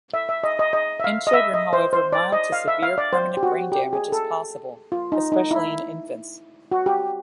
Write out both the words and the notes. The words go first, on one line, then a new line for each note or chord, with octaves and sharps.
In children, however, mild to severe permanent brain damage is possible, especially in infants.
E5
E5
D#5
D#5
D#5
E5
F5
D#5
E5
D#5
C5
C5
D5
D#5
F5
E5
F5
D5
C5
G4
F#4
G4
G#4
A4
F4
D#4
D#4
E4
F#4
G4